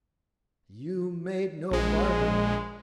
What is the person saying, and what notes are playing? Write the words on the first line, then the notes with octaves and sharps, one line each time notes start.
"You made no bargain."
A#1 G#3